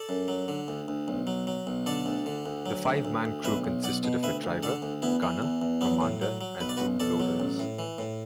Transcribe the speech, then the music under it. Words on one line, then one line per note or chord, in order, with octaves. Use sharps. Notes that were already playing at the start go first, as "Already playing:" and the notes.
The five-man crew consisted of a driver, gunner, commander and two loaders.
Already playing: A4 D5
F#2
F#3
D3
D2
D2
B1
F#3
F#3
B1
D3 A4 D5
D2
D3
D2
F#3
D2
D2
D2
B1 B4 E5
B1
B1 D5 F#5
B2
D2 B4 E5
D2
D3 A4 D5
D2
E2 B3 E4
E3
E2
E2
F#3 B3
A2
F#3
F#3
B1 B4
D5
F#4 B4
B1
B1 A4 D5
F#3
A1
A2
E3
A2